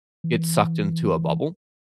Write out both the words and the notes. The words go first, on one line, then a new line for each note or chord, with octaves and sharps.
get sucked into a bubble.
E3